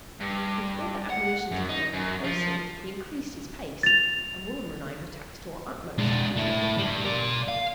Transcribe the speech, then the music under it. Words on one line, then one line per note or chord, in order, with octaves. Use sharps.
With further admonition to follow him closely, he increased his pace, and Wilma and I were taxed to our utmost to keep up with him.
G2
F#5
F#2
D#4
F#2
F3
A6 F7
G#3 D4
A3 E4
G2 G3
A#4 D5
F5